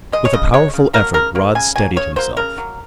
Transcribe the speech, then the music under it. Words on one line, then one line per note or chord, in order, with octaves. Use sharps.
With a powerful effort Rod steadied himself.
G#3 D#5
C#5
C#3 D#5
G#3 C#5
C#3
F#3 A#3 A#4
C#3 A#4
F#3 A#3
C#3 G#5
F#3 A#3 G#5
C#3 C#5
F#3 A#3 C5
C#3 A#4
F#3 A#3